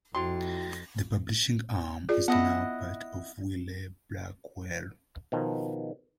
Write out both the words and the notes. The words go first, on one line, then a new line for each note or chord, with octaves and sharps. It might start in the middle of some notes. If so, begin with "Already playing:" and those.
The publishing arm is now part of Wiley-Blackwell.
F2 E4 F#4 G5 C6
F4 G#4 D5
B3 E4 D#5 F#5
B2 D#3 F3